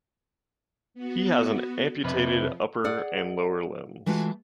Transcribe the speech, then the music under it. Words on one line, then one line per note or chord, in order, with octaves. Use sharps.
He has an amputated upper and lower limbs.
B3 F#4
F2 C3 F3 B4
G#4 D5 F#5
E3 G#3 A3 F4 F#4